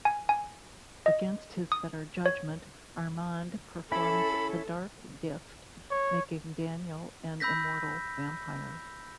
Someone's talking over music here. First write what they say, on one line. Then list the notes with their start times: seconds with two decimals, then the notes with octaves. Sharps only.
Against his better judgment, Armand performs the Dark Gift, making Daniel an immortal vampire.
0.05 G#5
0.29 G#5
1.06 D#5
1.72 D#6
2.26 C#5
3.92 C#4 E4 A4 B5
5.91 C#5
7.40 B5 E6 G6 A#6 B6